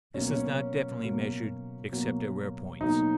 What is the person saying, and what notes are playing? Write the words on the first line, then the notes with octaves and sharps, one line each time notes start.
This is not definitely measured except at rare points.
B2 F#3 A#3 C#4
C#4
B2 F#3 A#3
B2 F#3 A#3
B2 F#3 A#3 D#4